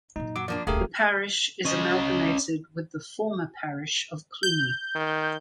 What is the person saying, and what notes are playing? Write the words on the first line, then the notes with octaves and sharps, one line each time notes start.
The parish is amalgamated with the former parish of Clooney.
F#2 A#2 D#4
F#3 D6
F3 A#3 D4 D5
D#1 C#2 A3 G4 G#4 A#4 F5
C#4 D#5
G6
D#3